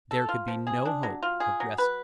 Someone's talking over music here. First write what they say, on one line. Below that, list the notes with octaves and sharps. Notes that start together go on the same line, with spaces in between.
There could be no hope of rescue.
A4
F4
F3
G#4
D4
F#3
F4
G#4
F#3
B4